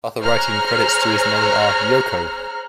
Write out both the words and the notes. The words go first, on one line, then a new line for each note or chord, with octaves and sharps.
Other writing credits to his name are: Yoko!
G#4 C5 C#5 A#5 F6 F#6